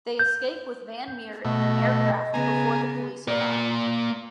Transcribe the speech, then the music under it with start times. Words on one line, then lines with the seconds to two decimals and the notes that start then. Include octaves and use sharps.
They escape with Van Meer in an aircraft before the police arrive.
0.19 G6
1.45 B2 A3 D#5
2.34 C#3 B3 G#5 A#5
3.28 A#3 D5